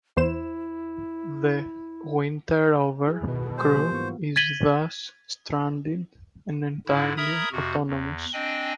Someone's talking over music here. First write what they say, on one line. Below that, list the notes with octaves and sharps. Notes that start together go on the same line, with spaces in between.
The "winterover" crew is thus stranded and entirely autonomous.
E2 E4 C5 E7
E4 G#4
B2 D#3 B4
A4
F#3 G3 C5 G#5 C#6 D#6
F3 A#3
G#2 E3 B3 C#6
G#6 A6 B6 D#7 F#7 G7
G#2 D3 E4
A#4 E5 A#5 B5 D#6 G#6
F2 C3 F#4
E2
C4 D4 D#5 G5 G#5